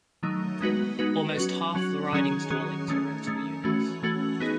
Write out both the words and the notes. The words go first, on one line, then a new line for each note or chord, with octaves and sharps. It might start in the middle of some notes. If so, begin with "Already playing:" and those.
Almost half the riding's dwellings are rental units.
D#3 F#3 A3 D#4
G#3 B3 D#4 F#4 B4
G#3 B3 D#4 F#4 B4
F#3 C#4 F#4
F#3 C#4 F#4
D#3 F#3 C#4 G#4
D#3 F#3 C#4 G#4
D#3 A3 C#4
D#3 A3 C#4
E3 A3 C#4 F#4
E3 A3 C#4 F#4
B3 D#4 G#4